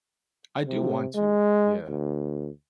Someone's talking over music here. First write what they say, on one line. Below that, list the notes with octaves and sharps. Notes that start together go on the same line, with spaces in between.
I do want to, yeah,
C3
G#3
D2